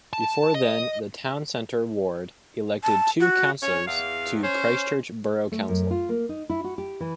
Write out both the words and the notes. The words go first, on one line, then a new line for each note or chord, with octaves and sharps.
Before then the Town Centre ward elected two councillors to Christchurch Borough Council.
A5
D#5
A5
F#4
C#4 C#5
E2 F5
C#4 C5
A3
F#2
F4
A#3
D#4
E4
F#4
G4
E3